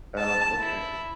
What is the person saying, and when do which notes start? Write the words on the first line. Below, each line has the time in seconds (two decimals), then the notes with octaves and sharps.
Oh, okay.
0.19 A5
0.58 E4